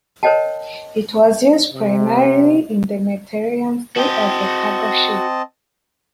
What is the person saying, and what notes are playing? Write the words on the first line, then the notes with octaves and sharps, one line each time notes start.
It was used primarily in the Mediterranean Sea as a cargo ship.
A#4 C5 C#5 D#5 G5 A5
C3
C4 F#4 D#5 G5 A5